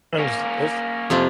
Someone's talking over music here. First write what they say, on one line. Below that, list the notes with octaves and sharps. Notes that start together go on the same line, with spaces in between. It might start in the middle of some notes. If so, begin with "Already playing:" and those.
And it's
A#3 C#4
F2 C3 F4